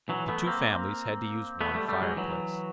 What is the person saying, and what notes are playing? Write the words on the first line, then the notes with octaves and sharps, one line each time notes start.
The two families had to use one fireplace.
E3 F#3
A3 B3
A#3 C4
A3 B3
G3 A3
G3 A3
F#3 G#3
E3 F#3